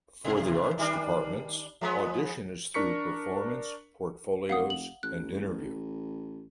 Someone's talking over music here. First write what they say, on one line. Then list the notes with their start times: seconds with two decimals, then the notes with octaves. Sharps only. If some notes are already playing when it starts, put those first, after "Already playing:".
For the arts departments, audition is through performance, portfolios, and interview.
0.25 B2
0.78 D#3 G3 D4
1.81 F3 G#3 B3
2.74 D4 A#4 C#6 B6 C#7
4.49 F1 F5 F#5 D#6
4.70 F#7
5.03 A1 F#6